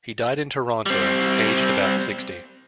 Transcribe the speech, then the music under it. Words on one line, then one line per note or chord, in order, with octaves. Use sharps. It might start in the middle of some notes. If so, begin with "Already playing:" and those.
He died in Toronto, aged about sixty.
G3 C4